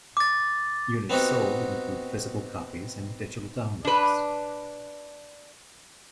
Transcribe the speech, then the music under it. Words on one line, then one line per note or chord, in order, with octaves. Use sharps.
Units sold include physical copies and digital downloads.
D6 A6
B3 C4 D#4 F#4 G4
D4 B4